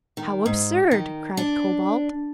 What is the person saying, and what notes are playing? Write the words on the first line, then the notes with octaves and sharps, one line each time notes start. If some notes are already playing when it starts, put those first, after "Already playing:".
"How absurd!" cried Cobalt.
D#3
G#2
D#3
D4